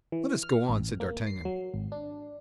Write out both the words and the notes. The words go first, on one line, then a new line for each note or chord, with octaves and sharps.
"Let us go on," said D'Artagnan.
E3
F6
A1
A#3
C7
F#3
G#1
D4